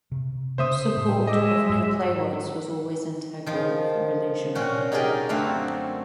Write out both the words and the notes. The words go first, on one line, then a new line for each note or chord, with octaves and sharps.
Support of new playwrights was always integral for Illusion Theater.
C3
C#3 A#3 C#4 C5 E5 D#6
A2
G#3 D#5 E5 D6
G#2
D#3 F3
A#2 C#4 F#4 G5
D#4 G4 G#4 A#4 D5 D#5
F#2 D3 A3 C4 F#4 F5